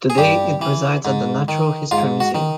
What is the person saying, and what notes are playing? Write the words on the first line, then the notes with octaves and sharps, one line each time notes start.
Today it resides at the Natural History Museum.
G#4
G2 G4
E3
G#2
D#3
G#2 F4
F#4
D#3